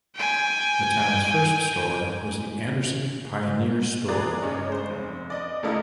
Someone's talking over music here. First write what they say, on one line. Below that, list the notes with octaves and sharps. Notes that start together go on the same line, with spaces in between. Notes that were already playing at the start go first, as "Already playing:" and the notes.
The town's first store was the Anderson Pioneer Store.
G5 G#5
G#4 B4 D5 G#5 A#5 B5
G1 C#3 C#5 D#5
G#3 C5
F1
D5 D#5
C#2 A3 A#3 E4 D#5 A#5